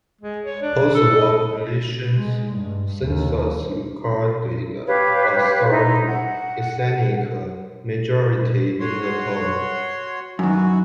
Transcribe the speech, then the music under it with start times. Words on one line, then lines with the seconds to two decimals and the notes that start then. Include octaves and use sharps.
Post-war population censuses recorded a Serb ethnic majority in the town.
0.21 G#3
0.45 C#5
0.62 D4
0.94 A4
1.19 D#5
2.16 G#3
2.57 G2
3.04 D#2
4.87 G4 B4 C#5 F5
5.69 D#4 E4
6.06 F#5
8.80 F#4 C#5 C6
10.39 F#2 D#3 E3 F#4